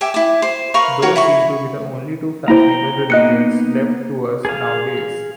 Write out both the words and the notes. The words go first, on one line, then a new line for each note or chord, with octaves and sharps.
Those seem to be the only two fashionable religions left to us nowadays.
G4 E5 G#5
E4 D6
C5
A#4 B4 F5 C#6
F#4 A#4 C#5 F5
E4 B5 C#6
A#3 E4 C5 G5 A#5
A#3 B3 D#4 D#5 F#6 C#7
G#4 F5